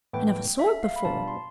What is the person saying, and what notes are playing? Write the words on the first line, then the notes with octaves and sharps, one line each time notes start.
I never saw it before.
A2 E3 B3 G5
E5
F5
B5
B2 G3 D4 F4 A5
C6